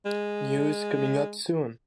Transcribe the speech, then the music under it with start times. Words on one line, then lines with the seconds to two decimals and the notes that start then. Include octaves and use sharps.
News coming up soon.
0.06 G#3